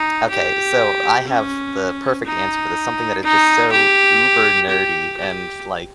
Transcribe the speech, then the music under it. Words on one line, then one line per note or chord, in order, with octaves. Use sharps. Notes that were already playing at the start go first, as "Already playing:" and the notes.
Okay, so I have the perfect answer for this, something that is just so uber nerdy and it's like,
Already playing: D#4
G4
C#4
D#4
D#4
G4
G4
G4